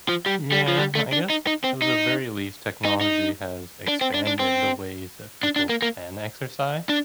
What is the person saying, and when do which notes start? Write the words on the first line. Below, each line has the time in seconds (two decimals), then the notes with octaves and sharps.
Mm yeah, I guess, at the very least, technology has expanded the ways that people can exercise,
0.09 F3
0.26 G3
0.52 G3
0.68 F3
0.78 G3
0.95 A3
1.13 D4
1.30 D#4
1.47 D#4
1.64 C4
1.82 D#4
2.85 D#4
3.01 D#4
3.88 D4
4.01 C4
4.14 D4
4.27 D4
4.39 C4
5.43 D4
5.56 D4
5.69 A#3
5.82 A#3
6.89 D4